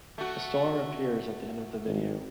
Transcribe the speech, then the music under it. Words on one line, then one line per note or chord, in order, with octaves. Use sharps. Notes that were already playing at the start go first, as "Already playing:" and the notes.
A storm appears at the end of the video.
A3 F#4
G#1